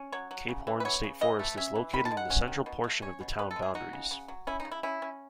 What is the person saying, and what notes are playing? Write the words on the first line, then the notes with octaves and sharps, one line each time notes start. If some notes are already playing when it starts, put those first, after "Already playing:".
Cape Horn State Forest is located in the central portion of the town boundaries.
Already playing: C#4
F#3 C#5
F#3
C#3
E3
B4
B3 C#5
C#3
E3 D#5
A3
C#4 E5
E3
D#3 B5
A5
G#3
F#5
C#4
D#3
B2
A3
C#4 C#5
B2
C#3 B4
A4
G#3
G#4
D#4 F#4
C#3
C#3
F#3
C#4 E4
D#4
C#3
E4
C#4 E4
C#4